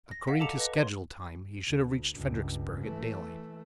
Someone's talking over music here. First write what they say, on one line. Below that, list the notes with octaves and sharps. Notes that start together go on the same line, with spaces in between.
According to schedule time, he should have reached Fredericksburg at daylight.
A#6
D#5 F5 F#5 B6
A4 A5 A#5 D6 C#7 F7
B4 D#5
C#5 C6
D2
C#2 G2
E3 A3